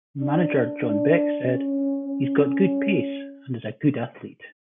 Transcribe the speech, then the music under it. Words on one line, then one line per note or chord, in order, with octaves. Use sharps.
Manager, John Beck, said, He's got good pace and is a good athlete.
D4
D4
C#4
C#4